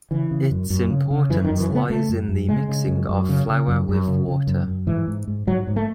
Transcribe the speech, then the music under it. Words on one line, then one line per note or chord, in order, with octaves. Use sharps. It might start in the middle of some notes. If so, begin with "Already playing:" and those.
Its importance lies in the mixing of flour with water.
C#3 E3
C#3
F#2
F#2
C#3
C#3
F#2 E3
D#3
F#2
E3
C#3
B3
C#3 A3
F#2
F#2
C#3 G#3
C#3
F#2
F#2
C#3
C#3
F#2
F#2
C#3
C#3
F#2
F#2
G#2 E3
G#2
G#2
G#2 F#3
G#2
A3